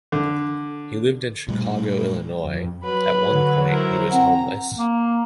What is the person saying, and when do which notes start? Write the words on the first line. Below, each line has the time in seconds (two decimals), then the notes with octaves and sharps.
He lived in Chicago, Illinois; at one point, he was homeless.
0.12 D3
1.48 A#2 G3 A3
2.45 F2
2.83 F#3 B4 B5
3.30 D3
3.70 E4 A#4 C5
4.11 C4 F#5 A#5
4.77 A#3